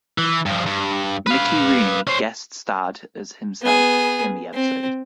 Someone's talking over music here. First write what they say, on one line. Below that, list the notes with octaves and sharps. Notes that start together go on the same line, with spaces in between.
Mickey Rooney guest starred as himself in the episode.
E3
G2 F3
G2
B4 F5
C#4 C5
B3 G#4
C4